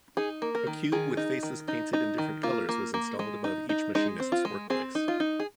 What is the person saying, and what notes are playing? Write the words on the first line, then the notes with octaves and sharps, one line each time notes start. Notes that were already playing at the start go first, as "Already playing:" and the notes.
A cube with faces painted in different colors was installed above each machinist's workplace.
D#4 G#4
A#3
A#4
D#3
D#3 G#4
D#4
D#3
D#4
D#4
D#3
A#3 F4
A#3
A#3
G#3
D#4
D#4
G#3 D#4
C4
F4
G#3
C4 G#4
D#4
F4
D#4
G#4